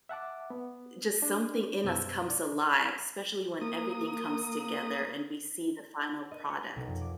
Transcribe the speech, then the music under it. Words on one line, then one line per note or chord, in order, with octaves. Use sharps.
just something in us comes alive, especially when everything comes together and we see the final product.
E5 F#5 A5 D6
B3
D4
F#2 B2 C5 E6
D5
A#3 D#6
D#5
C#7
D#6
B1
F2
D6